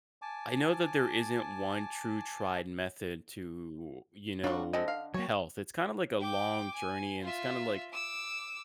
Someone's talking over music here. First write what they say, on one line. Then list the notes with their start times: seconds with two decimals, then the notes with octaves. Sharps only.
I know that there isn't one true tried method to, you know, health. It's kinda like a long journey and it's kinda like
0.22 G#5 A5 D6
4.44 F#3 G3 D4 F4 F#4 C6
4.73 D3 G#3 C4 A4 D#5
4.88 F5
5.14 F#3 A#3 C#5
6.20 G5 D6
6.74 G#5
7.22 F4 E5
7.92 D6 E6